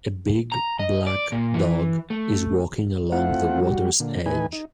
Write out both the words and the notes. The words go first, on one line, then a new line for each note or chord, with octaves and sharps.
A big, black dog is walking along the water 's edge.
A#5
D#5
D5
A#2
E3
A3
A3 C4 E4 F4 F#5
G3 F#4
A#2 D3
A2 E3 D#4 B4 G#5
D#4